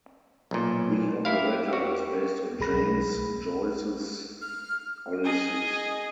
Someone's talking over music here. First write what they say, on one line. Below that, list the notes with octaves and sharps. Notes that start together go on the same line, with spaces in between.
The operetta is based on James Joyce's "Ulysses".
B1 A#2
E4 G4 F5
F#4
B1 G#4 B5 A#6
F6
G#4 D#5